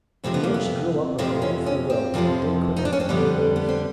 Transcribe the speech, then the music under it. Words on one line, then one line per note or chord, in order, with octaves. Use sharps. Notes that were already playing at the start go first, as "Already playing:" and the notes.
In the end she grew up of her own free will a day quicker than other girls.
F2 C3 F3 G#3 C4
B3
A#3
B3
F2 C3 F3 G#3 C4
C#4
C#4
C4
F2 C3 F3 G#3
D#4
D4
C#4
C4
F2 D3 G3 B3
B3
C4